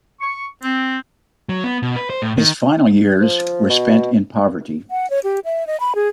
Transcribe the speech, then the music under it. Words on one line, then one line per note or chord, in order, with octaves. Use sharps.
His final years were spent in poverty.
C#6
C4
F#3
B3
B2
B4
C5
A2
D#3
F3
B2
F#5
C#5
G4
E5
D#5
B5
G#4